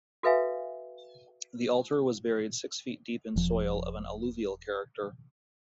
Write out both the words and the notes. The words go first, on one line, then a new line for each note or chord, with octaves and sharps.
The altar was buried six feet deep in soil of an alluvial character.
F#4 A4 B4 E5 F5 G#5
E1 F3